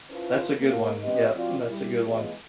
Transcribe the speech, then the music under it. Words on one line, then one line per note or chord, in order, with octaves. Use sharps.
that's a good one, yup, that's a good one.
C#4 E4 F4 A4 B4 C5
A#3
C3 B3 G4 B4 D#5
F3 C4 F4 F#4 D5
G3 E4
E3 G#3 A3 B3 F4